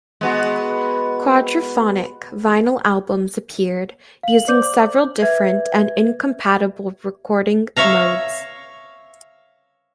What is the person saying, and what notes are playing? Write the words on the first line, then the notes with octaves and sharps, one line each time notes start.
Quadraphonic vinyl albums appeared, using several different and incompatible recording modes.
G#3 B3 F#4
F5 F#7
C5 D5 D6 G6
B4 E5 G#6
C#5 E5 F5 A#5